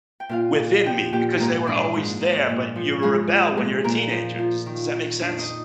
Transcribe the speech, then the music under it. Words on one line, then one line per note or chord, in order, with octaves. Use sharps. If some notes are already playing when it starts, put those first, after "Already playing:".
within me because they were always there, but you rebel when you're a teenager, does does that make sense?
G5
A#2 F4 F5
A#2
F3 G4 G5
A#2 G4 G5
G#2 A#3 A#4
G#2 D4 D5
G#2
G#2
A#2
F3
F3 G#3 G#4
F3
A#2 G#3 G#4
A#2 A#3 A#4
F3
F3
D#3
D#3
F2 D4 D5
D#4 D#5